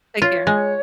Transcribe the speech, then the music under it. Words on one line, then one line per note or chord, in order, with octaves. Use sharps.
Take care.
F4 C#5
G#3